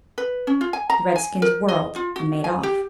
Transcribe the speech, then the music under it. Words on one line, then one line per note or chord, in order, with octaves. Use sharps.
The redskins whirled and made off.
B4
C#4
F4
G#5
A#5
G#5
A#4
D#5
F4
F#4
G#5
G4